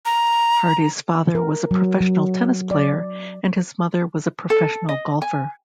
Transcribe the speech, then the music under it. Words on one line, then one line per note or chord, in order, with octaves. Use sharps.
Hardy's father was a professional tennis player, and his mother was a professional golfer.
A#5
A#4
F#3
F#3
D5
A4
D#5
G#5